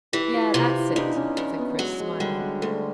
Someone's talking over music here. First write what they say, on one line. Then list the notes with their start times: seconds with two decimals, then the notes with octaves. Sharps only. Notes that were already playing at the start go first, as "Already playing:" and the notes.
"Yea, that's it," said Chris, smiling.
0.13 E3 G4
0.34 F4
0.54 C3 F4
0.75 E4
0.90 D4
0.96 E2 D#4
1.16 C#4
1.37 E2
1.58 B3
1.79 F#3 G#3
2.00 G#3
2.20 D3 G3
2.41 G#3
2.62 D2 A3